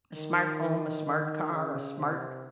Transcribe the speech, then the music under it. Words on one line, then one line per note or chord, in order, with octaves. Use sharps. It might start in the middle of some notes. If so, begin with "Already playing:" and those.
A smart home, a smart car, a smart
D#3
D#3
C#3
C3